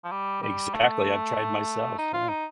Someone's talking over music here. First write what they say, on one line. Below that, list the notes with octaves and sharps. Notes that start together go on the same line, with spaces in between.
Exactly. I've tried myself. Yeah.
F3
G3
G3
A3
D#4
F4
D#4